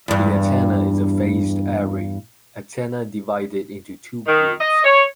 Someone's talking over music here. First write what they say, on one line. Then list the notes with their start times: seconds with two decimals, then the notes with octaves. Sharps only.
The antenna is a Phased Array antenna divided into two groups.
0.08 E2 G2
4.27 D#3
4.61 D#5
4.85 C#5